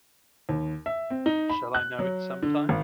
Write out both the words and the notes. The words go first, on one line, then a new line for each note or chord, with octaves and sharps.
Shall I know it sometime?
D#2
E5
C4
D#4
B5
F#6
F#3
D3
G#1